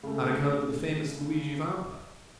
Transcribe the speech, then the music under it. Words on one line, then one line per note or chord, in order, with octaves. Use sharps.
"On account of the famous Luigi Vampa."
C#3 A3